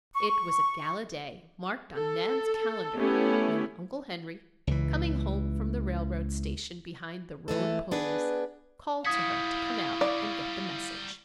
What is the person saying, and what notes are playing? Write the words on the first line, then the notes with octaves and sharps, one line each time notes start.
It was a gala day marked on Nan's calendar when Uncle Henry, coming home from the railroad station behind the roan ponies, called to her to come out and get the message.
C#6
A4
A3 B3 C#4 E4 G4
C#2 E3
G#2 E3 A3 A4
B3 D4 G#4 B4
G3 E4 F#4 F5 D#6 G#6 B6
D5